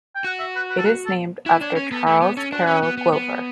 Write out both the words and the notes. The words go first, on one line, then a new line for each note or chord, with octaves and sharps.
It is named after Charles Carroll Glover.
G5
F#4 F#5
E5
B4
B4
A4
B4
A4
E4 F#4
D4 C#5
C#4 C#5
B3 A4
A3 E4
B3 G4
C#4 A4
D4 F#4
C#4
B3
B3
B3